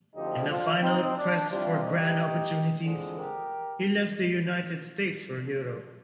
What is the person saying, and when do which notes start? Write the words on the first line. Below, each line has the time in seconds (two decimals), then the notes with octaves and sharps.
In a final quest for grand opportunities, he left the United States for Europe.
0.14 D2 D3 F3 C4 D#4 G4
0.48 D4 F4
0.81 C4 D#4
1.15 D4
1.49 C2 C3 G3 D4 F4
1.82 D#4 G4
2.83 F2 D3 G#3
3.17 G4 A#4